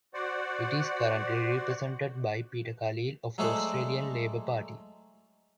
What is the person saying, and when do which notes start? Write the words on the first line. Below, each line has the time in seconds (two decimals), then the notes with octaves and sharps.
It is currently represented by Peter Khalil of the Australian Labor Party.
0.14 F#4 C5 D5 F#5
3.38 F#3 G#3 A3 A4 C5 D5